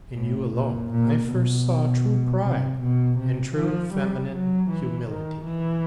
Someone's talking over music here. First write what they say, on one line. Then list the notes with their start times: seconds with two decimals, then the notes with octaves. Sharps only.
In you alone I first saw true pride and true feminine humility.
0.16 A2
0.53 A#2
0.92 A#2
1.29 B2
2.43 C3
2.81 B2
3.18 C3
3.56 F3
3.94 G3
4.32 F#3
4.70 E3
5.08 D#3
5.46 E3